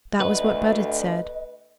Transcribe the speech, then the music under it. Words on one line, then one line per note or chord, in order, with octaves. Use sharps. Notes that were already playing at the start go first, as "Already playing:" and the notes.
That was what Budd said.
D2 B4 D#5